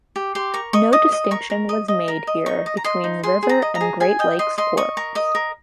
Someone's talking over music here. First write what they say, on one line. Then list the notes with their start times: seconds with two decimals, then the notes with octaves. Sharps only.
No distinction is made here between river and Great Lakes ports.
0.16 G4
0.35 G4 C6
0.54 A#4 C#6
0.73 D#5 C#6
0.92 D#5 D#6
1.12 D#5
1.31 A#4 C#6
1.50 A#4
1.69 D#5
1.88 D#5
2.08 A#4
2.27 D#5
2.46 D#4 C#6
2.66 D#5
2.77 A#5
2.84 D#5 C6
3.04 D#4
3.23 G#4 C6
3.43 G#4
3.49 A#5
3.62 D#5
3.75 A#5
3.81 G#4
4.00 G#4 G#5
4.19 D#5 G5
4.39 D#5 C6
4.58 D#5 C6
4.77 D#5 C#6
4.97 A#4 C#6
5.15 D#5 D#6
5.35 A#4